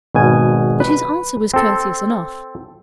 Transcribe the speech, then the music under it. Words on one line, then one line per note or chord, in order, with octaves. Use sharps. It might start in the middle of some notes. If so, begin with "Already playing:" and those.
But his answer was courteous enough.
G#1 B2 G#5
B4
C4 A4